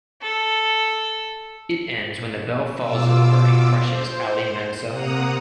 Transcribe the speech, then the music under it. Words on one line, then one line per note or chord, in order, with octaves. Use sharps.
It ends when the bell falls over and crushes Aly Mansuh.
A4
B2 F4 D6 E6
C5
C3 A#3 F#5 A#5 D#6